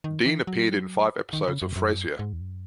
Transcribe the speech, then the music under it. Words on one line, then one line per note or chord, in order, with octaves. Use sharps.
Dean appeared in five episodes of "Frasier".
D#3
E3
F#3
D#3
C#3
F#2
F#2
G#2
E2
F#2